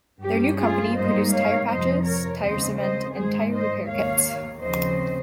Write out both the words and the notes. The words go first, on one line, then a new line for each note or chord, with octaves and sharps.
Their new company produced tire patches, tire cement and tire repair kits.
G2 G3 C#4 G4
F4 G#4
G#2 G3 A#3 D#4 C5 D#5
C#5 F5
F2 C3 F3 C5 D#5
A#4 C#5
D#2 C#3 G#3 C4 C5 D#5
C5 D#5
G#2 D#3 G#3 G#4 C5
C5 D#5
D#2 D#3 A#3 C#5 F5
D#2 C#3 F3 C4 C5 D#5